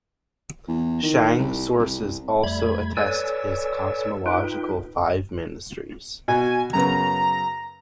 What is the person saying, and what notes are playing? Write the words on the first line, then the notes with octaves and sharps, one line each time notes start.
Shang sources also attest his cosmological Five Ministries.
E2
D#3
C2
C2
F2 G3 A3 B5 G#6
A4 B4 C#5 D5 G#5 E6
D#4 F4 B4 G5
B2 G#5
F#2 C#3 B3 A#5